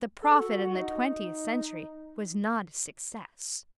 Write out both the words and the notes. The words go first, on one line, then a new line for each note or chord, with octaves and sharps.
The Prophet in the twentieth century was not a success.
A4
F#4
F#4
D#4